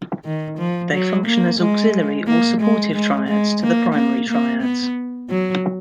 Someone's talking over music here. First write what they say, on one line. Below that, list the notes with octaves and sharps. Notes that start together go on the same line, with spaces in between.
They function as auxiliary or supportive triads to the primary triads.
D#3
F3
F#3
A#3
G#3
A#3
G#3
G#3
G#3
A#3
A#3
A#3
B3
F#3